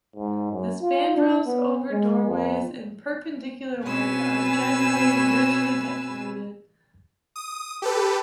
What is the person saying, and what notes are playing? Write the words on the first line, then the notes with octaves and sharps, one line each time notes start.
The spandrels over doorways in Perpendicular work are generally richly decorated.
G#2
F#2
F4
D4
B3
G#3
F2
B2 C4 C#4 B4 G#5 E6
D#6
G4 A4 B4